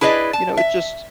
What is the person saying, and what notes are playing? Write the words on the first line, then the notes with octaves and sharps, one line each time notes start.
you know, it just
E4 G#4 B4 D5 D#5
A5
E5